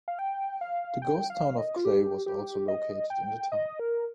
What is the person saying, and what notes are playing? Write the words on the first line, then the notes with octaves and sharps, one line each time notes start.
The ghost town of Clay was also located in the town.
F5
G5
F5
G5
F5
D#5
F4
G4
G4
D#5
G5
D#5
A#4